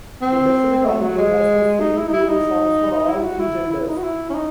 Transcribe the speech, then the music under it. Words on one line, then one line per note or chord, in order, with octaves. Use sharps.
The definite article has the same plural forms for all three genders.
C4
A3
F#3
G#3
D#4
E4
D#4
E4
D#4
E4
F#4
E4
E4
D#4
F#4
E4
C#4
D#4